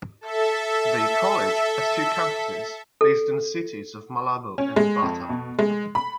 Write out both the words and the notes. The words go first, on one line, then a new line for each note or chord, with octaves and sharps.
The college has two campuses, based in the cities of Malabo and Bata.
A4 E5
A4
C#4
G#3
F2
B2
G#3
B5